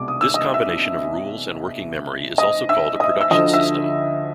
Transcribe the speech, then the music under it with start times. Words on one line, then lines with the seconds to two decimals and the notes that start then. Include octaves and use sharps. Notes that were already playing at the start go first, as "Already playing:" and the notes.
This combination of rules and working memory is also called a production system.
Already playing: C2 B2 G#3 D6
0.08 D#6
0.21 E6
0.34 D#5 D#6
0.54 E5 E6
2.38 D#5 D#6
2.69 E5 E6
3.00 D#5 D#6
3.21 E6
3.31 D2 D3 F3 D#5 D#6
3.53 E5 E6